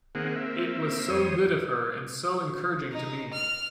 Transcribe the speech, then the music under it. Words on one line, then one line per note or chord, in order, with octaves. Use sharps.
It was so good of her, and so encouraging to me!
D#3 A#3 C4 G#4 F#5
A#3 C4 E5
F2 C5 C#5 D#6
D#4
F6